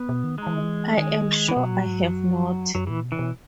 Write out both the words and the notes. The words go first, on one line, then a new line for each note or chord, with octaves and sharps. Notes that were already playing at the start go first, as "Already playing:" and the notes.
I am sure I have not.
Already playing: B3
B2
D#3
G#3
E3
D#3
E3
D#3 G#3
E3
B2 F#3
A#2
G#2
F#2
F#2 F#3
A#2 E3
B2
E3
B2